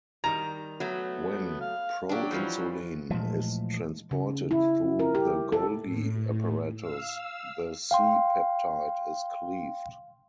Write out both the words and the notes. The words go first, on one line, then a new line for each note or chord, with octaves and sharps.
When proinsulin is transported through the Golgi apparatus the C-peptide is cleaved.
D#3 G3 A#5
F#3 A3 B3
F5
F#3 D4 G4
E3 F3 G3
A#2 E3 F3 G#3 A3
C#3
E4
A#4
G4
A4
A2
F5 E6
F5 G5 C6